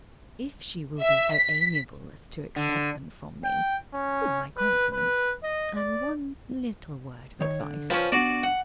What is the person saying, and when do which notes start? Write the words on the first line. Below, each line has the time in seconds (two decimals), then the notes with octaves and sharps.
"If she will be so amiable as to accept them from me, with my compliments and one little word of advice...."
1.01 E5
1.33 B6
2.56 D3
3.44 G5
3.94 C#4
4.58 B4
4.93 B4
5.43 D#5
5.76 D5
7.41 D#3 C#5
7.60 D3
7.90 F3 C#4 B4 C5 G5
8.12 B3 D4 F#4 D5
8.43 F#5